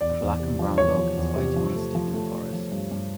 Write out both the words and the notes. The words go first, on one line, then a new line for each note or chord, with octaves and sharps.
A black and brown dog is biting on a stick in the forest.
E2 D5
E2
C3
F3
E2 C#5
F3
E2
C3
F3
A3
F3
A3
A3
F3
G2
G2